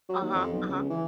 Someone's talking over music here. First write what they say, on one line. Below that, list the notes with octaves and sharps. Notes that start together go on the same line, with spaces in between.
Uh-huh. Uh-huh.
F#3
D#2
F2
B1
C#2
E3